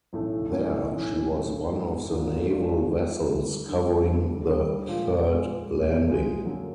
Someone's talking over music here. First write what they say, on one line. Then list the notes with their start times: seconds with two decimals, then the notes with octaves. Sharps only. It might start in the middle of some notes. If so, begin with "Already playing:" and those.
There she was one of the naval vessels covering the third landing.
0.13 B1 A2 E3 A3 C#4
0.52 B1 A2 E3 A3 C#4
0.92 B1 A2 E3 A3 C#4
1.31 B1 A2 E3 A3 C#4
1.71 G#1 G#2 F3
2.11 G#1 G#2 F3
2.50 G#1 G#2 F3
2.89 G#1 G#2 F3
3.29 D2 D3 G3
3.68 D2 D3 G3
4.07 D2 D3 G3
4.47 D2 D3 G3
4.87 A#2 F3 G#3
5.27 A#2 F3 G#3
5.66 A#2 F3 G#3
6.05 A#2 F3 G#3
6.45 F#2 D3 F#3 A#3